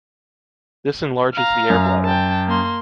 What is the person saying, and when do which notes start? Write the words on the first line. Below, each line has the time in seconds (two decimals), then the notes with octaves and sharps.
This enlarges the air bladder.
1.34 F5 A#5
1.70 F#2
2.05 G5 A5
2.48 A#3 C6